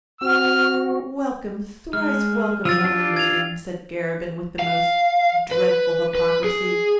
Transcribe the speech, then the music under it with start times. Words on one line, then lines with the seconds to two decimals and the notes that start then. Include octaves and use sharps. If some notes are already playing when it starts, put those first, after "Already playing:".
"Welcome, thrice welcome, lovely maiden," said Garabin with the most dreadful hypocrisy.
0.21 C4 F#4 F6
1.93 G#3 F6
2.65 F3 F4 E6 A6
2.84 D4 F4 G4
3.16 G#6 F7
4.59 F5
5.51 B4
6.15 B4
6.44 G#4